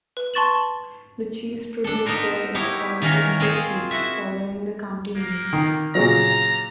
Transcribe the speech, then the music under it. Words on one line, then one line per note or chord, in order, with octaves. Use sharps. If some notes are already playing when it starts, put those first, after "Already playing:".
The cheese produced there is called Imsil cheese, following the county name.
B4
A5 C6 C#6 A6 E7 F#7
D4 A4
B3 D#4 A4 A#4 C5
D#4 E4 G4 C#5
D#3 E3 A#3 C#4 A#4 C#5
C4 F4 G#4 C5 C#5
E4 F#4 E5
A#3
D#3
A#2 C#3 F#3 A#5